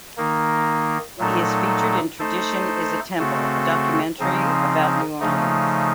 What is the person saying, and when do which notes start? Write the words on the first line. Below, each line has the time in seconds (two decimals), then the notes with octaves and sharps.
He is featured in "Tradition Is a Temple", a documentary about New Orleans.
0.17 D#3 A#3 D#4
1.19 A#2 F#3 A3 D#4 A4
2.20 A3 D#4 A4 C5
3.19 C#3 A3 C4 F#4 A4
4.20 C#3 F3 C4 D#4
5.20 C#3 F3 A3 D#4